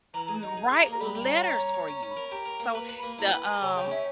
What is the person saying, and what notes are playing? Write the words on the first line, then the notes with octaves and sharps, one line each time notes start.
M write letters for you. So the, um
E3 A#5
A#5
G#4
D#4 A#5
G#4
G#4
A#5
A#3
A#5
G3 B5
G3
A#5
C#5
C#4 A#5
C#5
C#5
C#4 A#5
C#4
B5
A#4
G4 A#5
A#4
A#3
B4 A#5
B4
B5
A#3
E4 A#5
B4 B5
G#4 A#5
C#3 G#5
C#3 G5
C#4 E5